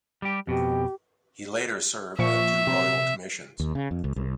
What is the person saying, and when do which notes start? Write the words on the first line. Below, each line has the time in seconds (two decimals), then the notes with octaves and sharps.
He later served on two Royal Commissions.
0.22 G3 G4
0.47 F2 B2 G4
2.19 A#2 F3 E5 C#6
2.67 C3
3.60 D#2
3.75 C#3
3.91 F2
4.04 C#2
4.16 C2